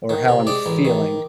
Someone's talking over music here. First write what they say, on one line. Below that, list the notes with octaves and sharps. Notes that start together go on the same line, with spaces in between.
or how I'm feeling.
D#3
C3
G#3 D5
A1
D#3